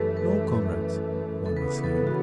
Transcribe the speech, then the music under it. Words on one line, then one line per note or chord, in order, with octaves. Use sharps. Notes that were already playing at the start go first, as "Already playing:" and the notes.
"No, comrades," one was saying.
Already playing: F#2 E3 A3 G4 A4 B4
B4
A4
C#3 E3 B3 B4
B4
A4
F#4